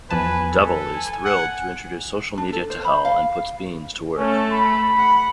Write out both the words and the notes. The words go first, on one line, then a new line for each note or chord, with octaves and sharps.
Devil is thrilled to introduce social media to Hell and puts Beans to work.
E2 F3 B4 G#5 A5
A4 B4
G#5
F#5
D4
A4
C5
B5
F5
A3 C#4 A4
B5
F#5